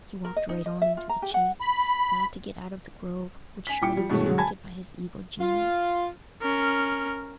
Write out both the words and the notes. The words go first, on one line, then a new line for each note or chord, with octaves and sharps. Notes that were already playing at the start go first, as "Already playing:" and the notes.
He walked right on into the Chase, glad to get out of the Grove, which surely was haunted by his evil genius.
A#4
D#5
D#4
D#5
E5
F4
A#5
G4
F#5
B5
G#5 B6
A#2 E4 G5 D6 C#7
F3 G3
G2 B2 E3 G#3 A3 C#4
D3 F#3 G#3
G#5 A5 B5 G#6
F4
C#4 A#4